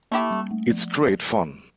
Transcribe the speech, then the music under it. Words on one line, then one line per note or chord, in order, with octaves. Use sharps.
It's great fun.
A3 A#3 E4 G4
G3
A3
F3